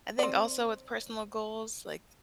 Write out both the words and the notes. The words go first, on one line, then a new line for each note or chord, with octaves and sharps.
I think also with personal goals, like
C4 D5